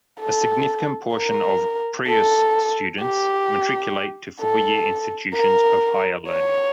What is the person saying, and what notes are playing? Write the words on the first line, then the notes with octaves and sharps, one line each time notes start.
A significant portion of Preuss students matriculate to four-year institutions of higher learning.
A4
A#4
A4
G4
A4
A#4
C#5